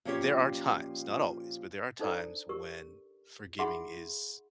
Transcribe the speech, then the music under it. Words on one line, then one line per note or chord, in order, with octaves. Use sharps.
there are times, not always, but there are times when forgiving is
A#2 F3 C#4 D#4 G4 C#5
D4 D#4 A4 C5 D5 A#5
G4 A#4 C#6
D#4 G#4 E5 F#5 B5 C6